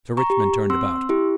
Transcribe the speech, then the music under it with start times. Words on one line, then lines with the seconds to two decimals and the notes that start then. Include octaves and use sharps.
Sir Richmond turned about.
0.17 A#5 C#6
0.30 G4
0.70 C4 C6 E6
1.09 E4 G4